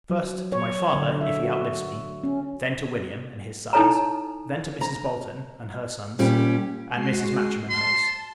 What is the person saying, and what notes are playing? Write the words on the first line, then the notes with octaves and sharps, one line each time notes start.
First, to my father, if he outlives me; then to William, and his sons; then to Mrs. Bolton, and her sons; and Mrs. Matcham, and her's.
F#3
C#5
D3
E5
F#4
C#4
D#4 E4 A4 C#5 G#5 A#5
A#5
A#2 G3 C#4 G4
G#3 F#4 C7
A5 C6